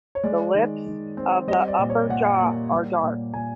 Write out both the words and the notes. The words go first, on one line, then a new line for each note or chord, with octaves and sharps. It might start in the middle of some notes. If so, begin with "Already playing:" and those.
The lips of the upper jaw are dark.
C#5
G#3 D5
D#3
D#3
C4
G3 D#5
D5
A#2
C#5
A#2 F#5
A#3
G3
A#2
A#2 G#5